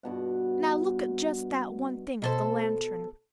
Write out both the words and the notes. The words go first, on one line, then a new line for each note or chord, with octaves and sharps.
Now look at just that one thing of the lantern.
G2 B2 F#5
B2 A4 C5